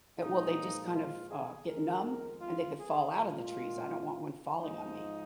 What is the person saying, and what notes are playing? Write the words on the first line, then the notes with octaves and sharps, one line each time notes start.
at well, they just kind of, uh, get numb and they could fall out of the trees. I don't want one falling on me,
A#2 F3 G#3 D#4
F4
G#4
F2 D#3 G#3 A#4
F4
G#4
A#2 G#3 F4
G#2 F3 G#3 D#4